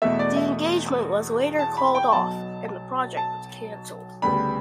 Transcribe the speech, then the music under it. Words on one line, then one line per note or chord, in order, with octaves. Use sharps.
The engagement was later called off and the project was cancelled.
E2 B2 A3 E5
D5
E5
A5
B5
G5
B1 B2 F#3 A5
A5
D2 C#3 G3 B3 B5